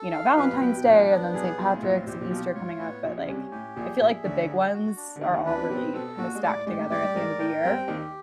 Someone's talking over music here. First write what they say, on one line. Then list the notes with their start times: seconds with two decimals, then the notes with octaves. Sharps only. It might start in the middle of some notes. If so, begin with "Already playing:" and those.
you know, Valentine's Day, and then Saint Patrick's and Easter coming up, but, like, I feel, like, the big ones are all really kinda stacked together at the end of the year,
Already playing: A4
0.13 F5
0.37 F2 F3 B4
0.52 A#2
0.61 B1 B2 G5
0.77 B2
0.85 A#1 A#2 D4
1.10 B3
1.34 B1 B2 G#4
1.58 B1 B2 F4
1.74 A2
1.82 A#1 A#2 C4
1.96 A2
2.06 A#1 A#2 G4
2.21 A#2
2.30 B1 B2 F4
2.54 G#2 C#5
2.79 A2 B3
3.03 A#1 A#2 G#3
3.17 C#3
3.27 C2 C3 C#4
3.51 A2 G4
3.76 A#1 A#2 G#4
4.00 A#1 A#2 E5
4.24 D2 D3 C#4
4.48 G#4
4.74 F#4
4.97 D4
5.16 D3
5.21 D#2 D#3 D4
5.34 D#2 D#3
5.46 E2 E3 B4
5.57 F2 F3
5.70 B2 B3 C4
5.94 B2 B3 A4
6.18 A#2 A#3 F#4
6.35 G#3
6.43 A2 A3 D5
6.67 G#2 G#3 G4
6.79 A2 A3
6.91 G#2 G#3 D5
7.03 G2 G3
7.15 G#2 G#3 A#4
7.39 A2 A3 G5
7.64 G2 G3 C4
7.87 D#2 D#3 G4